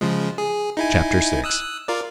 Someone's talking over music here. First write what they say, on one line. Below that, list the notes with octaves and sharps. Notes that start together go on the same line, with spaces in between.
Chapter VI.
C#3 F3 G#3
G#4
D#4 E4 G#5
D#6 E6 F#6
F4 A#4 D5